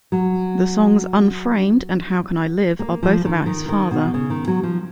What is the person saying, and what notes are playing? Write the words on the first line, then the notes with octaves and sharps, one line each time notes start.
The songs "Unframed" and "How Can I Live" are both about his father.
F#3
A#3
F3
D#3
D#3
D#3
B2
C#3
D#3
F#3
F3